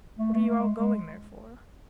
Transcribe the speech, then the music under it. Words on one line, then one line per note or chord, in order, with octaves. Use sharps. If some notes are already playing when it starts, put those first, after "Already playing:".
"What are you all going there for?"
A3
A3
A3
G#3
G#3